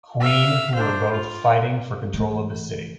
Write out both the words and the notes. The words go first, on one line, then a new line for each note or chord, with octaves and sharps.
Queen who were both fighting for control of the city.
E5 F5
D4 C5
F4
E3 A3